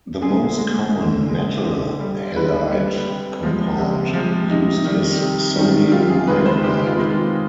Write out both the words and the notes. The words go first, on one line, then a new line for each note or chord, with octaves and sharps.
The most common metal halide compound used is sodium iodide.
D3 G#4
G#3
D3
G#3
D3
G3
D3 B4
G3
C3
F3 G#3
C3
F3 G#3
C3 D#4
D#3 G3
C3
D#3 G3
C3 F4
G#4
D#3 G#3 B4
C5
C3 G4
F4
D#3 G#3
F4